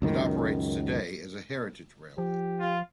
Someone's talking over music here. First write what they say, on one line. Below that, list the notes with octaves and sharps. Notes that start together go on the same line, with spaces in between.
It operates today as a heritage railway.
C#2 F#2 D#3
F3 G4
F4